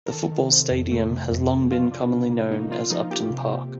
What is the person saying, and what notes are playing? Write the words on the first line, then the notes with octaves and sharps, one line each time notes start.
The football stadium has long been commonly known as Upton Park.
A#4
D#3 A4
D#3
C3
F2
A3
C3
F2
C3
F3 F4
D4
C3
A#3
A#3 D#4
A#3 F4
F3 D#4
A#3 G4
C3
C4